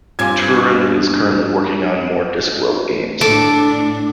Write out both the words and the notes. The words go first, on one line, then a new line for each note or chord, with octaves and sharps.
Truran is currently working on more Discworld games.
G2 C4 F4 G#5 D6 G#6
A2 D4 A4 D6